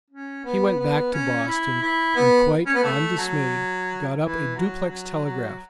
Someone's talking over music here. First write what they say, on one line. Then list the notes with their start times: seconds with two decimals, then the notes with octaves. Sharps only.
He went back to Boston, and quite undismayed got up a duplex telegraph.
0.10 C#4
0.45 B3
0.79 B3
1.13 C#4
1.47 E4
1.82 E4
2.15 B3
2.66 C#4
2.74 B3
2.83 A3
3.18 F#3
4.21 E3
4.55 F#3
4.89 F#3
5.24 F#3